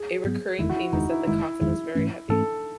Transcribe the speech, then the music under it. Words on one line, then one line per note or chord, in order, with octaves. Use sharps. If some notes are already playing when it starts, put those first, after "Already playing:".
A recurring theme is that the coffin was very heavy.
Already playing: G#4
G#2 F#3 B3
F#1 E2 D#3 G#3 E4
F#4
E4
F#1 E2 D#3 G#3 D#4
E4
F#1 E2 D#3 G#3 E4
F#1 E2 D#3 G#3 E4
G#2 E3 A3 C#4
G#2 E3 A3 C#4 A4